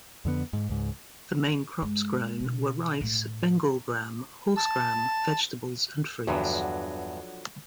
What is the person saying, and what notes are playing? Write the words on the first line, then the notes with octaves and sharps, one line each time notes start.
The main crops grown were rice, Bengal gram, horse gram, vegetables and fruits.
F2 D3 B3
G#2
C#2 G#2
G2 G#3
B2
A2 A3
A5
E2 G2 D3 F3 F#3